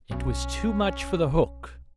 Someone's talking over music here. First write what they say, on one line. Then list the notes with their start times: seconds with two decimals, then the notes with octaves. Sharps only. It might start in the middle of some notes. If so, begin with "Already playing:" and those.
It was too much for the hook.
0.11 B1 C#4